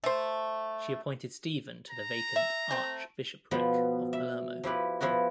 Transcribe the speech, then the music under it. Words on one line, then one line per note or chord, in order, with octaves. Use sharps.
She appointed Stephen to the vacant archbishopric of Palermo.
A3 C5
A#5
E5
A3 C4
B2 F3 B3
E5
F3 E4 G4 B4
F3 B3 E4 F#4